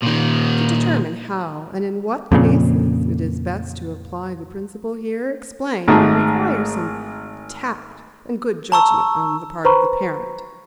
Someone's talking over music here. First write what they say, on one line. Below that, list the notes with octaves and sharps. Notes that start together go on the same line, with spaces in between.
To determine how and in what cases it is best to apply the principle here explained will require some tact and good judgment on the part of the parent.
A#2 D#3
F2 A#2 C#3
G#1 G#2 A3 G#4
A5 A#5 C#6 E6
B4 C5 A#5 B5 C#6